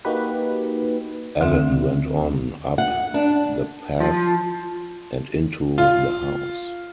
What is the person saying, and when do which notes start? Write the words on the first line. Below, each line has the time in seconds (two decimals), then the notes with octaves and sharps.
Ellen went on up the path and into the house.
0.05 A#3 D#4 F#4 G4 B4
1.41 D2 D3 C4 E5
2.78 F#5
3.14 D4
4.00 F3
5.78 F4